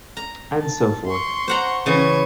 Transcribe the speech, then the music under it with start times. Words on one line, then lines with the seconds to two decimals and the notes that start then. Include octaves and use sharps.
And so forth.
0.17 A#5
0.59 A5
1.07 C6 C#6
1.48 C5 F#5 A#5
1.86 C#3 E3 C#6 G#6